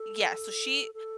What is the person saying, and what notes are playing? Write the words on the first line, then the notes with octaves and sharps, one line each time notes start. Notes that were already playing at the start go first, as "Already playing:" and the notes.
Yeah, so, she
Already playing: A4
A4